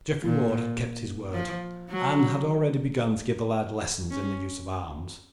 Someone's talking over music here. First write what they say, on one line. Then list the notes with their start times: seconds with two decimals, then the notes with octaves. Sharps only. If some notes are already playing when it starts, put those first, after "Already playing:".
Geoffrey Ward had kept his word, and had already begun to give the lad lessons in the use of arms.
0.23 A#2
1.34 F3
1.90 F#3
4.10 C#4